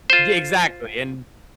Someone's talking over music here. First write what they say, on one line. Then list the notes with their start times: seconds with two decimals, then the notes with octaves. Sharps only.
Yeah, exactly, and
0.10 F4 C5